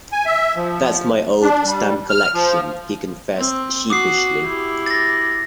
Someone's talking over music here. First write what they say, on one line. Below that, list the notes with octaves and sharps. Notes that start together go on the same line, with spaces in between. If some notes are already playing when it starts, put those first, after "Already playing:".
"That's my old stamp collection," he confessed sheepishly.
G#5
E5
F3
D4
G3
F6
F3
C4
F#4 D6 D#6 C7
E4 G4
A6 A#6